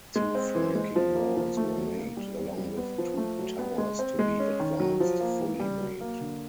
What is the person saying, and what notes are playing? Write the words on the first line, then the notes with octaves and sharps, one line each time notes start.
Two flanking walls were made, along with two towers to be advanced fully made.
G#3
C4
E3
G#3
F3
A#3
F3
A3
F#3
A#3
G3
C4
G3
B3
F3
A3
F#3
B3
G#3
C4
G#3
C#4
D#3
F#3
F3
A#3
E3
G3
F#3
A#3
D3